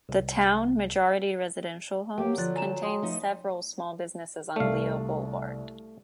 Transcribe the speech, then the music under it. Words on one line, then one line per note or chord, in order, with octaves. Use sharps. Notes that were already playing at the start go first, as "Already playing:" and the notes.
The town, majority residential homes, contains several small-business' on Lido Boulevard.
C2
F#3 A#3 G4 G5
D3 F3 D5 F#6 A6
G#5 A#5 E7
G5 C6 D#6
F3 A3 D#4 D#5
C2 A3 D5 F5